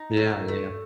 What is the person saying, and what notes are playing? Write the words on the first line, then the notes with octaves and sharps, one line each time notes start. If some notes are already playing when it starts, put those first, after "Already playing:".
Yeah, yeah.
Already playing: D#4
A3
A3